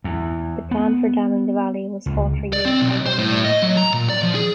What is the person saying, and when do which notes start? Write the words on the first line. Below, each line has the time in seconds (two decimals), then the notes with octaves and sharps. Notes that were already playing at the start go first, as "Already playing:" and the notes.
The plan for damming the valley was fought for years by John Muir.
0.04 E2
0.71 B3
2.06 C#2
2.53 D5
2.65 C4
2.80 B1
3.06 C5
3.19 A2
3.45 D#5
3.62 F#3
3.77 A#5
3.93 A#2
4.09 D5
4.23 F3
4.35 G#4